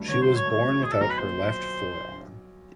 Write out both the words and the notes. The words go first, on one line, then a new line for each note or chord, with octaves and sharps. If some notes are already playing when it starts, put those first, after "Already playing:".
She was born without her left forearm.
Already playing: G2 F#3 A3
D3 C#5
C5
F#3
C#5
A3
C#5
F#3
B1 G#4
A4
B1 A#4
B4
A#2 C5
F#3